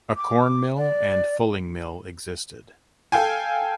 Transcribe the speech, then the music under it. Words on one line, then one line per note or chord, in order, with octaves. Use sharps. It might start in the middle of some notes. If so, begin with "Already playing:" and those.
A corn mill and fulling mill existed.
D6
D5
A4 F5 G5 G#5